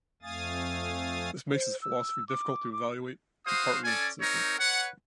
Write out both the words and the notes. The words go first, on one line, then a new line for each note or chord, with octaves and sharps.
This makes his philosophy difficult to evaluate and partly inconsistent.
F2 A3 F5 G#5 D#6 A6
C5
E6
D6
D6
F#4 C5 F5 D#6
C#4 A4 D5 G#5
C4 D#4 A#4 C#5
B4 C#5 F#5